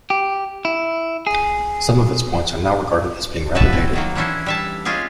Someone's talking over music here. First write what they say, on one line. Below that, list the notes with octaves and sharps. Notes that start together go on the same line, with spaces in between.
Some of its points are now regarded as being rather dated.
G4
E4
G#4
B2 F3 F#4 B4 E5 A5
C4 E4
D#3 F#3 A#3
E3 C#4 D4 E4 A4 C5
G3 E5 A5
G#3 C4 C#4 F4 G4 G#4